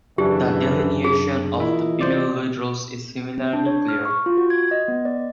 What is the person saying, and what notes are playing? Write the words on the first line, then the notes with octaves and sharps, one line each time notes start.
The delineation of the female lead roles is similarly clear.
F#2 C#3 E3 D4 G4
G#4
E3 A#3 E4 F4 D#5
C5 D5
D4
C#5
F6
C#6
F4
F#4
G#6
D#5
B3
D5